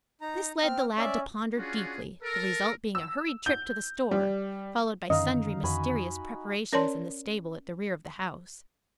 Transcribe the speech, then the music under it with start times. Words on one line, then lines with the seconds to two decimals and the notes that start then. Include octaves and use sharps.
This led the lad to ponder deeply, the result being a hurried trip to the store, followed by sundry mysterious preparations in the stable at the rear of the house.
0.21 D#4 A#5
0.63 C4 G5 F6
0.98 C#4 D5 E5
1.58 C#4 D4 F4 F#4 G#4
2.23 A4 A#4
2.95 E6
3.46 G6
4.11 G3
5.10 F#2 D3 D#3 C#4 D#4 D#5 F5
5.64 F2 F#4 G#5 B5
6.73 C#4 A#4 C#5 D5 A5 C6